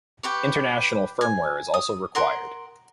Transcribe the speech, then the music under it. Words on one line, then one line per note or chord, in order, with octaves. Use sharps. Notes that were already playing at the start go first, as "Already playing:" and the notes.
International firmware is also required.
G4 B4 C#6
G#5
D#6
A#4 F#5 C6